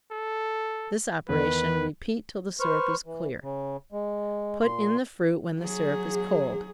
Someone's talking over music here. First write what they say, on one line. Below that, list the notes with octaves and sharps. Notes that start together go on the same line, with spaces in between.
This operation repeat till the syrup is clear--put in the fruit when the syrup is cold.
A4
E2 D#3 B4
B4 C5 C#6 F6
E3
C#3
G#3
A#2 C6
F#3 G#4